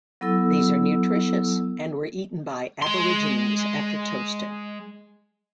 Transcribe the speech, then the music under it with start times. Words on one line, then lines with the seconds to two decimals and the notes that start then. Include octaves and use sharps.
These are nutritious and were eaten by Aborigines after toasting.
0.21 F#3 B3 E4 A4 E6
2.82 G#3 C6